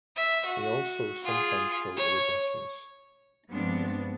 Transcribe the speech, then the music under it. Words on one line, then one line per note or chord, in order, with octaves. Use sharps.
They also sometimes show iridescence.
E5
F#4
F4 G#4
C#5
G2 F3 G#3 B3 C4 D4